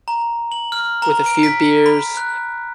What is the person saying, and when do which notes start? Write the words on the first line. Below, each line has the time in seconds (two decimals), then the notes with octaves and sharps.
with a few beers,
0.08 A#5
0.52 F#7
0.72 F6
1.02 A#5
1.26 D7
1.43 B6
1.86 B5
2.17 F#6